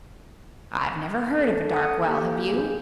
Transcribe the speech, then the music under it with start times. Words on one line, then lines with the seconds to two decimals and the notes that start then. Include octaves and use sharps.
"I've never heard of a dark well; have you?"
1.37 A4
1.72 F#5 D#6
2.05 A#3 G4
2.47 G#4